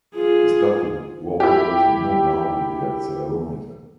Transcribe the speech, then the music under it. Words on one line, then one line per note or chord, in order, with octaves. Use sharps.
The static wallpapers move now with the accelerometer.
F4 G#4
E4 G4